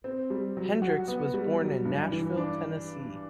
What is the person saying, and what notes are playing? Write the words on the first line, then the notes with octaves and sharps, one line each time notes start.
Hendricks was born in Nashville, Tennessee.
C4
G3
F#3
F#4
B3
G3
F#3
G2
E3
D4